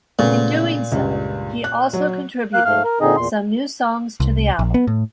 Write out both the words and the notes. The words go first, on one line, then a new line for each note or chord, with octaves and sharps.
In doing so, he also contributed some new songs to the album.
A#2 C#3 A3 B3
C#2 G2
F#6
F#3
A#3 F5 F#6
G#2 A3 F5 F6
A#4
A#2 D3 C4 D#4 G#4 D#5
E2 A#2 C6
C2
A#1
B3
A2